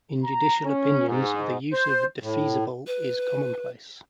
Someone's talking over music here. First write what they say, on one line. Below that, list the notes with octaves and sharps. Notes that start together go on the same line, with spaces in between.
In judicial opinions, the use of "defeasible" is commonplace.
A#5
C#4
G#2
C5
A2
B4